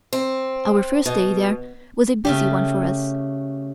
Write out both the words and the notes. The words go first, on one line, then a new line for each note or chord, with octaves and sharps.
Our first day there was a busy one for us.
C4
B2
C#3 A3 G4